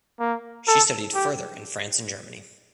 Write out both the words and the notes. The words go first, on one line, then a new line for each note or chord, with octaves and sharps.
She studied further in France and Germany.
A#3
A4
G4